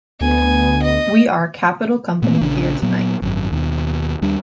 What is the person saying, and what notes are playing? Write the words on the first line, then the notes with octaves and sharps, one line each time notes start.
We are capital company here tonight.
D2 B3 G#5
D#5
A#2 A3 A#3 C4
A#1 C#3 D4
A#2 F#3 B3
G#1 F#2
D#2 B2
D#2 G3 D4